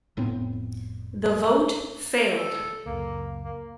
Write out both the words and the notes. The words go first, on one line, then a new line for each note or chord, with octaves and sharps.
The vote failed.
F1 A2 B3 C4
A4
C#2 F#2 A#3
A#3